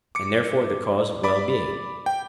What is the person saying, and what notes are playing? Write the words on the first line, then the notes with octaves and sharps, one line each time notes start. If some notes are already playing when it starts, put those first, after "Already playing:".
And therefore the cause of well-being?
D6 C#7
D5 B5 D6
G5